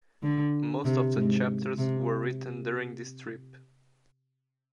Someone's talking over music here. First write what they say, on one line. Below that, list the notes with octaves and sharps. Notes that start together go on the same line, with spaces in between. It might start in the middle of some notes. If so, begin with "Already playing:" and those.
Most of the chapters were written during this trip.
D3
C3
G#2
C3